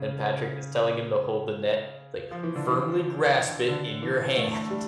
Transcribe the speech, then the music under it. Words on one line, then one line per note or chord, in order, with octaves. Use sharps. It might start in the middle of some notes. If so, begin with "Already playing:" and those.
and Patrick is telling him to hold the net, like, "Firmly grasp it in your hand."
Already playing: C#3
F3
E3
D3
E3
D3
E3
A3
G3